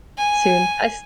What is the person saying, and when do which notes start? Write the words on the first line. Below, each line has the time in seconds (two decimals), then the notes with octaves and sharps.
soon, I s
0.18 G#5